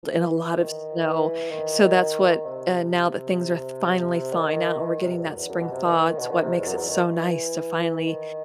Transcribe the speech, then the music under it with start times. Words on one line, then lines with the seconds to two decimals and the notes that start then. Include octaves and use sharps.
and a lot of snow, so that's what, uh now that things are th finally thawing out and we're getting that spring thaw, it's what makes it so nice to finally,
0.10 E3
0.58 D#3
1.05 E3
1.51 D#3
2.45 C3
4.32 D#3
4.78 E3
4.90 D#3
5.02 C3
5.14 E2
5.25 F#2
5.37 E2
5.49 F#2
5.60 B2
5.72 C3
5.84 D#3
5.96 E3
6.08 D#3
6.19 B2
6.31 D#3
6.42 C3
6.54 E2
6.66 F#2
6.78 E2
6.89 D#3
7.13 E3
8.06 D#3